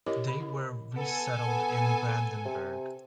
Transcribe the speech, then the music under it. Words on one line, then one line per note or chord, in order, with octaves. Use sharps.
They were resettled in Brandenburg.
E4 G4 A#4 C#5 D#5 D6
B5
E4
B3 A4 G#5
B3
C3